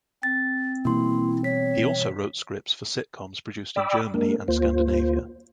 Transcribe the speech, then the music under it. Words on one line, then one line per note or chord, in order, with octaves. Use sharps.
He also wrote scripts for sitcoms produced in Germany and Scandinavia.
C4 A6
B2 E3 G3 A#3 E4 C6
C#5 B6
D5 G5 B5 D6 E6
G#3 A#3 D4 A#4
D2 A#3 F4 C5